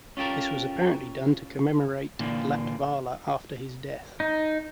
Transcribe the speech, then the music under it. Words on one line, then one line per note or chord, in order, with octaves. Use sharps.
This was apparently done to commemorate Latvala after his death.
C#4 F4 G4 A4 A#4
A#2 D3 E3 A#3
D#4